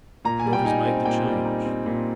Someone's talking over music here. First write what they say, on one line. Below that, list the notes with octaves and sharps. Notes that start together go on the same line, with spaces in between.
What has made the change?
A#2 A#5
G#5
G3
G5
D#4 G#5
C4
A#2 G5
G3
D#4
C4
A#2